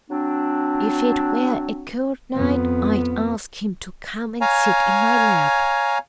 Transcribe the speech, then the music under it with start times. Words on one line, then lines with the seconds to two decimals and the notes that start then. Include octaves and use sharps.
If it were a cold night I'd ask him to come and sit in my lap.
0.11 F#3 C4 D4
2.35 F2 B3
4.41 C#5 F5 G#5 A#5